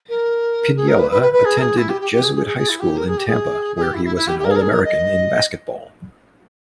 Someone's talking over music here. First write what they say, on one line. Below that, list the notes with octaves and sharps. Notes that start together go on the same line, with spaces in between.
Piniella attended Jesuit High School in Tampa, where he was an All-American in basketball.
A#4
G#4
A#4
B4
B4
B4
B4
G#4
A#4
G#4
E4
G4
G4
G4
G#4
G#4
G#4
G#4
E4
G4
A#4
G#4
G4
G#4
G#4
G4
E4
E4
E4
G4
G4
A#4
G#4
A#4
G#4
A#4
D#5